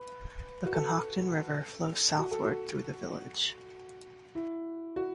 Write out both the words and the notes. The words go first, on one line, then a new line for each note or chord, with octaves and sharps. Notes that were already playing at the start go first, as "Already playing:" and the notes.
The Conhocton River flows southward through the village.
Already playing: B4
F#4
A4
F#4
A4
F#4
E4
F#4